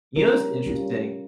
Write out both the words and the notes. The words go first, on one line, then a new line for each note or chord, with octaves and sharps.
You know what's interesting?
G3 C#4 F4 A#4
G3 C#4 F4